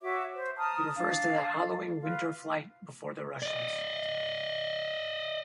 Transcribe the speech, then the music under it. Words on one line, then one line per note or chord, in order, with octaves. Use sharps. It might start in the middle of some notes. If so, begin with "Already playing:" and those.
He refers to the hallowing winter flight before the Russians.
F#4 C#5 E5 D6
C5
A5 A#5 D#6 F6
D4 F5
F4 B4
D5 D#5